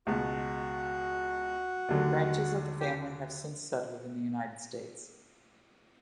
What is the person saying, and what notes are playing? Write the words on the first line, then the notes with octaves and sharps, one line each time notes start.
Branches of the family have since settled in the United States.
C#2 B2 G#3 F#4
D#2 D3 F#3 A3
G4